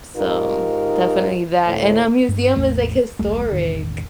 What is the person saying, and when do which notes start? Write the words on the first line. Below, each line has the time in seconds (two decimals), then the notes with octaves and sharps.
So definitely that and a museum is like historic,
0.17 G#2 D#4 F4 G4 A#4
1.65 D2 A2
2.29 G2
2.56 A1 E2 A3
3.19 D#1 B1 G3 A3
3.51 E1 A1 D#3